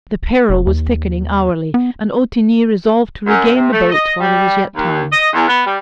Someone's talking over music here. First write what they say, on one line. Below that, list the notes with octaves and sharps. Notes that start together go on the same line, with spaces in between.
The peril was thickening hourly, and Ottigny resolved to regain the boats while there was yet time.
F1
D#2
B3
F#2
C3
A3
D#5
G3
D#2
D#5
E2
B3
G3